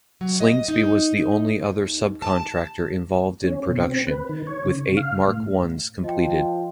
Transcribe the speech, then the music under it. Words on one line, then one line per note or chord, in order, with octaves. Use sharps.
Slingsby was the only other sub-contractor involved in production with eight Mark Is completed.
F#3
D#5
D#4
D#2
A5
C#4
B2
C4
B4
D#3
C#5
C#3
F5
A2
F3 D#5 G5